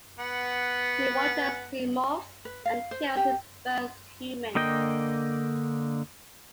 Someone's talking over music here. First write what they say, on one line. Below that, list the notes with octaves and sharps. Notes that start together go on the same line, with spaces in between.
She watches as he morphs and kills his first human.
B3 F#5
B4
F5
C5
G4
D3 A#3 D#5 G5